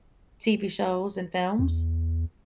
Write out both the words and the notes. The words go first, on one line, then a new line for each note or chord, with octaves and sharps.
TV shows and films.
E2